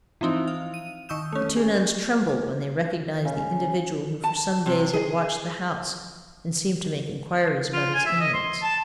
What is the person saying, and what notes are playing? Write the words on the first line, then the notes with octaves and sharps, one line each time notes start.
The two nuns trembled when they recognized the individual who for some days had watched the house and seemed to make inquiries about its inmates.
E3 F3 C4 D#4 E4
F5
D#7
D#3 C#6 D#6 E6 G6 E7
A3 C#4
G#4
C#3
A5
C3
G#4
F4
G#5
E5
D#5
C6
A5